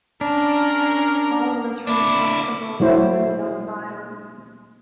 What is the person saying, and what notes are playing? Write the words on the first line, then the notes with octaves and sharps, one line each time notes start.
Followers from across the world descended on Zion.
C#4 D4 A#4
D4 E4 D6
F#3 A3 E4 C5